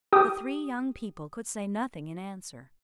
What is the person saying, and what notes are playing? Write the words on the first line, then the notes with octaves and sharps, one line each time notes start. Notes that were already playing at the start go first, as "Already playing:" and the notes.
The three young people could say nothing in answer.
G4 D#6